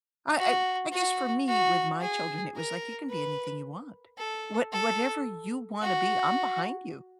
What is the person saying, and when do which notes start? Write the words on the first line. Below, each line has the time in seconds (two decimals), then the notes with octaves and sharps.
I I I guess for me, with my children, it was like you can be anything you want. What whatever you wanna be, I'm behind you.
0.38 F#4
0.92 F#4
1.48 F#4
2.02 G#4
2.56 A#4
3.10 B4
4.18 A4
4.72 A4
5.82 F#4